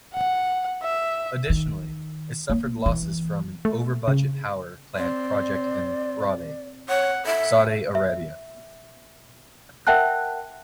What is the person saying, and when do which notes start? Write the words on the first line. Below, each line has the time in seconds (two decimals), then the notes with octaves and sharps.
Additionally, it suffered losses from an over-budget power plant project in Rabigh, Saudi Arabia.
0.14 F#5
0.83 E5
1.50 D#3
2.50 A#3
2.86 E3
3.65 A3
4.08 C#3
4.96 C4 D5
6.89 C#5 F#5
7.26 A4 E5
7.95 E5
9.87 A#4 E5 F#5 G5 A5 F#6